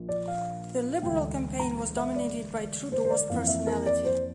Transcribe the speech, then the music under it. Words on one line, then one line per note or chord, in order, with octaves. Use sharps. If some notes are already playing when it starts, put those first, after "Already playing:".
The Liberal campaign was dominated by Trudeau's personality.
Already playing: A#1
D5
F5
F5
E1 D2 D3 G5
A#5
E5
D5
C5
C5
D5
F2 E3 A#3 F5
E5
A#4
D5
C5